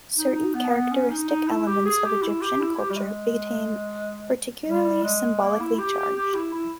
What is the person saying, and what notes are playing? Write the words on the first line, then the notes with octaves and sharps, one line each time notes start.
Certain characteristic elements of Egyptian culture became particularly symbolically charged.
D#4
D#4
B3
B3
C#4
D#4
D#4
E4
G4
G#4
G4
E4
G4
E4
E4
G4
G3
G#3
G3
G#3
A#3
E4
E4
G4
G4
G4
E4
E4